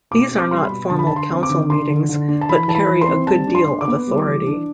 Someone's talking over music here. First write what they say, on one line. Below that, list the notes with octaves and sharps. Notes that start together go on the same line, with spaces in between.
These are not formal council meetings, but carry a good deal of authority.
B2 D6
C4
D6
G3 C6
B5
B2
D3 A5
B5
D3 A5
C6
C4
D6
D3
D4 C6
D3
D3
D4
A5
E3 B5
E3 A5
B5
E3
C6
C4
G3 A5
D4
C6
D4
D6
B3
G3
E3
D4